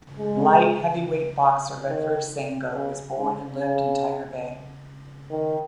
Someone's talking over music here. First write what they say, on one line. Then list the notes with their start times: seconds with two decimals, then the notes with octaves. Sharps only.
Light heavyweight boxer Redvers Sangoe was born and lived in Tiger Bay.
0.19 G#3
1.88 D#3
2.74 C#3
3.16 G#2
3.59 C#3
5.30 D#3